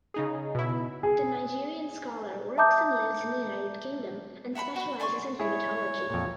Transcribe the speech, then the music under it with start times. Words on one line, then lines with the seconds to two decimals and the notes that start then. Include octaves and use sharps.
The Nigerian scholar works and lives in the United Kingdom and specialises in Hematology.
0.14 C#3 D#4 G#4
0.55 B2 E4
1.03 G#4
2.57 E5 A5 A#5 D6 D#6 G6
4.55 E5 F#5 A#5 B5
4.76 F#4 B5
5.00 D5 G#5 C6 C#6
5.40 E4 G#4 C#5
6.10 F2 A#2